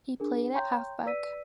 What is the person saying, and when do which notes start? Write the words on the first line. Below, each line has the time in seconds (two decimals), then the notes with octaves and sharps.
He played at Half Back.
0.20 D4 G#4 A#4
0.54 C#5 G5 A#5 C6 C#6 G6
1.06 B4 D5 E6 B6 D#7